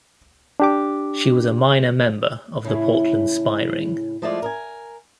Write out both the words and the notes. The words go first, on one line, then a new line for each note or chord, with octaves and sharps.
She was a minor member of the Portland Spy Ring.
D4 G4 D6
A2 C#3 C#4 E4
F3 G#3 A3 E4 F4 D5
A#4 D#5 G#5